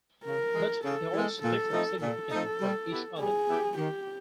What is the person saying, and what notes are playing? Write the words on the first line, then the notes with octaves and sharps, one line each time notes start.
But they also differed significantly from each other.
C#3 A#4
E3 G#3
C#3 A4
E3 G#3
A#2 A4
F3 A3 C4 D#4
A#2 A4
F3 A3 C4 D#4
G3
B3 E4 G4
G3 G#4
B3 E4 G4
D#3 G4